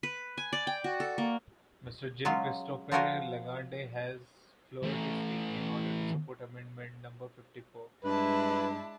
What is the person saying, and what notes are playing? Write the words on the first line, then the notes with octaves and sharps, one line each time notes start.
Mister Jean-Christophe Lagarde has the floor to speak, in order to support amendment number fifty-four.
B4
G#5
D5
G5
F#4
A4
A#3
F#3 G#3 C#4 F4
F3 F4 F#4 A#4 C5 G#5
E3 A3
G2 G#3 D4 E4 B4 A5